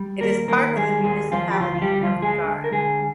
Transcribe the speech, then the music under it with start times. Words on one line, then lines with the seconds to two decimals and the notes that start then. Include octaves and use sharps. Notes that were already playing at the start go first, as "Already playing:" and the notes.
It is part of the municipality of Megara.
Already playing: G3
0.20 D#2 A#3 A#4
0.48 D#3 A#3 A#4
0.76 G3 G#3 G#4
1.04 D#2 G#3 G#4
1.32 D#2 F3 F4
1.51 G4
1.59 D2 F3 F4
1.75 F4
1.81 G3 G4
1.88 D2
2.01 F3 F4
2.15 D2
2.22 G#3 G#4
2.44 D3
2.64 A#4
2.71 D3 G#3 G#4